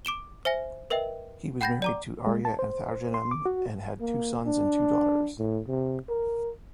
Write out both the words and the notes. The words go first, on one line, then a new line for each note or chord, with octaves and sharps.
He was married to Arya Antharjanam and had two sons and two daughters.
D6 D7 E7 G7
C5 E5 G#5 A#6
A#4 B4 D#5 E5 G5
F#5 G5 B5 G6 A6 A#6
D5 A#5 D6
G#3
A5
C5
C6
D6
F#4
A#3
D4
A2
C3
A#4